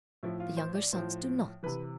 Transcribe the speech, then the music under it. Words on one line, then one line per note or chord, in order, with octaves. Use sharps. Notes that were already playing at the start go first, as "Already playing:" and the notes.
The younger sons do not.
A2 F3 E4
F4
C5
D5
A2 F3 C5
C3 E3 B4